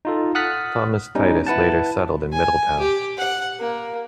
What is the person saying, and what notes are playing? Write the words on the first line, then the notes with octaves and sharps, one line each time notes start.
Thomas Titus later settled in Middletown.
D#4 F4 A4
F#5 D#6 F6 F#6 A6 B6
G3 B3 C#4 D#4
E4 B4 F#5 A5
G#5
G4
F#5
A#3